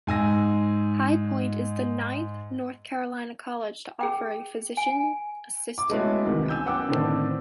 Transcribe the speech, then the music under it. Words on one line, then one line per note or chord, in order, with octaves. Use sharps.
High Point is the ninth North Carolina college to offer a physician assistant program.
G#2 G#5 E6 A#6
G#4 G5
G#5
D6
G#3 A3 B3 C#4 E4 F#4
C2 D#3 E3
G#5 E6 G6
F#2 B3 F#5 G5 D6 E6
A2 D3 D#3 B3 C4 D4